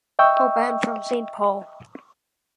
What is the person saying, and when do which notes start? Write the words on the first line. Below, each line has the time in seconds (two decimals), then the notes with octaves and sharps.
Hoban from Saint Paul.
0.19 D#5 E5 G5 C#6 E6